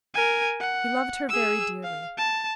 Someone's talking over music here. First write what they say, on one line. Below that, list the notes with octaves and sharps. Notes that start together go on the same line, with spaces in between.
He loved her very dearly.
A#4 G#5
F#5
G#4 E6
F5
A5